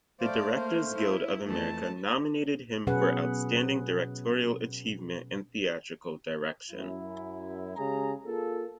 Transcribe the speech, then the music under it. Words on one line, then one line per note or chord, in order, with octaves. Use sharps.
The Directors Guild of America nominated him for Outstanding Directorial Achievement in Theatrical Direction.
A3 C5 D5 F5
A#3
E4
F2 E3 A3 A5
B2 F#3 C#4 G#4 B4 F#5
F#2 E4
C#3 G#3 G4 G#4 A#5
A#3 F4 G#4 A4